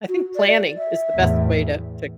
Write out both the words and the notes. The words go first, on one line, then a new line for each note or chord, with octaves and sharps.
I think planning is the best way to to,
F#4
D5
E5
E2 A2